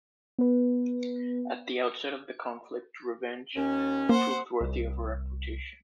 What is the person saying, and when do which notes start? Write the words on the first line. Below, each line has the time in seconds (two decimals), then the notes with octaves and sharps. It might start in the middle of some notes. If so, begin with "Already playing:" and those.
At the outset of the conflict, "Revenge" proved worthy of her reputation.
0.38 B3 B4
3.56 D#2 C#4
4.09 A#3 C5 F#5
4.61 C2